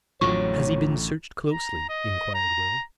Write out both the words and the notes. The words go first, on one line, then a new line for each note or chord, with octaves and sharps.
"Has he been searched closely?" enquired Will.
A1 F2 A2 D3 F#3 C#5 C#6
A#5
D#5
A#5